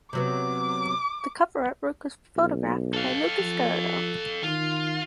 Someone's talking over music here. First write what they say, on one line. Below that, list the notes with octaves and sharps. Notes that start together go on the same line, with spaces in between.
The cover artwork was photographed by Lucas Garrido.
C3 F#3 B3 D6
B1
A4 F5
F3
D#3 F4